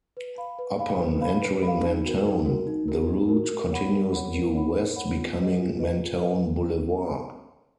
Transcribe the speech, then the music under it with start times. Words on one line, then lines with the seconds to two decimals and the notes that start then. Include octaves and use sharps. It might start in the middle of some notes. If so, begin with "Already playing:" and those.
Upon entering Mentone, the route continues due west, becoming Mentone Boulevard.
0.17 B4
0.38 F5 B5
0.59 B4
0.79 F5 B5
1.01 B4
1.21 F5 B5
1.42 B4
1.63 F5 B5
1.84 D#4
2.05 F#4 A#4
2.26 D#4
2.45 F#4 A#4
2.67 D#4
2.88 F#4 A#4
3.09 D#4
3.29 F#4 A#4
3.51 A#4
3.71 C#5 F#5 B5
3.92 A#4
4.13 C#5 F#5 B5
4.33 A#4
4.55 C#5 F#5 B5
4.74 A#4
4.96 C#5 F#5 B5
5.17 F4
5.38 B4 D#5
5.58 F4
5.79 B4 D#5
6.01 F4
6.21 B4 D#5